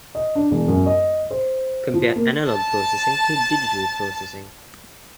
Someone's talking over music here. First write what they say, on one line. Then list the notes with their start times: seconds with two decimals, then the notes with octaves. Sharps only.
Compare analogue processing to digital processing.
0.15 D#5
0.35 D4
0.51 E1
0.68 F#2
0.86 D#5
1.31 C5
1.94 F3
2.16 A#3
2.50 A5 A6